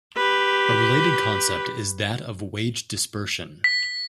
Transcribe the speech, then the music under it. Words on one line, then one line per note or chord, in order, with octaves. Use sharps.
A related concept is that of wage dispersion.
G4 B4
B6